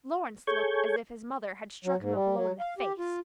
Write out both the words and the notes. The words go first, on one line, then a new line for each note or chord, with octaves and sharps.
Lawrence looked as if his mother had struck him a blow in the face.
G#4 A4 C#5 C#6 G6 G#6
F#3
G#2
G3
F#3
F5
G4
F4